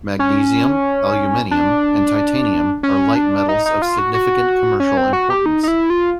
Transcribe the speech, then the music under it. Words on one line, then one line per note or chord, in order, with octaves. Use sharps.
Magnesium, aluminium and titanium are light metals of significant commercial importance.
C#4
D4
C#4
D4
D#4
D#4
F4
F#4
F#4
C#4
C4
F#4
G4
D#4
D#4
E4
F4